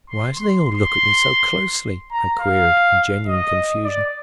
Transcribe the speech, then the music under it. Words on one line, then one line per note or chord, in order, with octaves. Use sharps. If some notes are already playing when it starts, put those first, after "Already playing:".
"Why do they all look at me so closely?" I queried, in genuine confusion.
C6
C6
C6
A#5
F5
D#5
D5